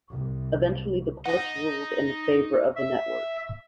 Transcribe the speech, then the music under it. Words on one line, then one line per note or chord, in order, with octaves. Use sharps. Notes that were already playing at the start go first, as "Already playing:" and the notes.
Eventually the courts ruled in favor of the network.
C2
D#4 F#5 A#6
E5